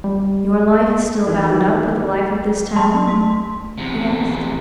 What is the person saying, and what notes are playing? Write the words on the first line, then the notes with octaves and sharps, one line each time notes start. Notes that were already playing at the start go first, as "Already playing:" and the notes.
"Your life is still bound up with the life of this town?" he asked.
G3
D#3 E3
F#3 A5 C6
A3 C6 B6
E2 C3